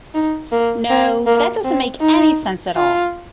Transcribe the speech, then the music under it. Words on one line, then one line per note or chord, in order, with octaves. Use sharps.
No, that doesn't make any sense at all.
D#4
A#3
C4
A#3
C4
D#4
F4